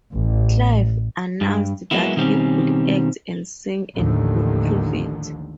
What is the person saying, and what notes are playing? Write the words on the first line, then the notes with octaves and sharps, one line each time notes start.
Clive, announced that he could act and sing and could prove it.
A1
G2
F#3 G#3 A#3 B3 E4
B2 D#3 G3 C4 C#4
A1 D#2 A2 D3 D#3 F3